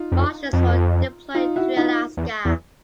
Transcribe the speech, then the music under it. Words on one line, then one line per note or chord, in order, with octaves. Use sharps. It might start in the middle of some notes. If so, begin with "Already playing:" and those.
Marshals were deployed to Alaska.
Already playing: D#4 F4
F2
F2
D#4 F4
E4 F#4
D#4 F4
E2
E2